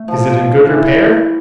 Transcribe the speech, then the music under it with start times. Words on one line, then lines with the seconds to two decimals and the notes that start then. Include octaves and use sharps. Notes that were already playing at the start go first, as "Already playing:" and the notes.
"Is it in good repair?"
Already playing: A3
0.08 F3
0.67 E3